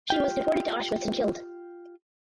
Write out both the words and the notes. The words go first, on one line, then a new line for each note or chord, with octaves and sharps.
She was deported to Auschwitz and killed.
F4 G4 G5